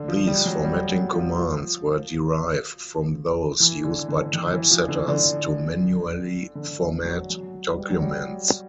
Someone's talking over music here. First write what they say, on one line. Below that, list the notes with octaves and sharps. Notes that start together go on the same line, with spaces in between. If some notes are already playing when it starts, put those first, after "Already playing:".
These formatting commands were derived from those used by typesetters to manually format documents.
Already playing: D3
F3
G3
F#3
G3
F#3
F3
F3
E3
D3
D3
D#3
E3
F3
D3
D3
D3
F#3
F#3
G3
F#3
G3